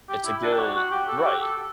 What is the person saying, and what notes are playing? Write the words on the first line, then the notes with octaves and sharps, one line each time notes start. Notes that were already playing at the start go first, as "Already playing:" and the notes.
it's a good right.
G4
E4
D4
G4
F#4
F#4
G4
A4
F#4
G4
A4